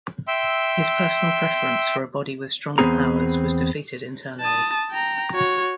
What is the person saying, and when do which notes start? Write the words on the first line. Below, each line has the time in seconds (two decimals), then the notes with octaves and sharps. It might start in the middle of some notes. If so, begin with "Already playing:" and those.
His personal preference for a body with stronger powers was defeated internally.
0.28 E5 G5 C6 E6
2.78 E2 E3 B3 C4 G#4 A#5
4.41 A5 D#6
4.91 G5 A#5
5.33 F#4 C#5